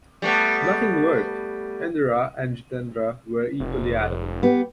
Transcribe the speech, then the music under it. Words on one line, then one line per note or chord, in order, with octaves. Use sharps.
Nothing worked; Indira and Jitendra were equally adamant.
G3 A3 B3
F1
B3 G4